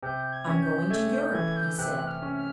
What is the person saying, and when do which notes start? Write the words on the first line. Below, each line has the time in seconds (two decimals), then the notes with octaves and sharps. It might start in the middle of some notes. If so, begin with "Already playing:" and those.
"I'm going to Europe," he said.
0.03 C3 G6
0.32 G#6
0.47 C#4
0.62 G6
0.90 A3 G#6
1.13 G6
1.34 E3 G#6
1.56 G6
1.78 C3 F#6
2.07 F6
2.23 C#4
2.36 F6